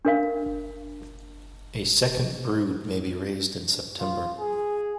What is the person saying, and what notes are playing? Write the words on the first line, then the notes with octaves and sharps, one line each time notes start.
A second brood may be raised in September.
D4 A#4 F5
F4
G#4